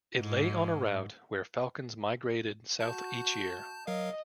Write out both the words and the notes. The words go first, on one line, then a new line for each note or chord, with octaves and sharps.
It lay on a route where falcons migrated south each year.
G#2
F#4 A5 G6
F#3 A#4 D#5 F5